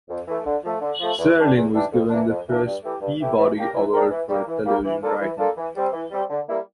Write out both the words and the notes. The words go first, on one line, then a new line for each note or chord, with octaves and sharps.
Serling was given the first Peabody Award for television writing.
F2
E3 A3
D3
F3 A3
D3
F3 A3
E2
E3 G3 D4
E2
E3 G3 D4
F2
E3 A#3 D4
F2
E3 A#3 D4
G2
E3 A3 E4 G4
G2
E3 A3 E4 G4
E3
A#3 D4 G4 A#4
E3
A#3 D4 G4 A#4
E3
G3 A#3
E3
G3 A#3
E3
A#3 D4 F4 A4
E3
A#3 D4 F4 A4
E3
G3 C4
E3
G3 C4
D3
G3 A#3 E4